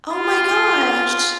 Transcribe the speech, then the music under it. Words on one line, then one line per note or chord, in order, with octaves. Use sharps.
Oh my gosh.
F4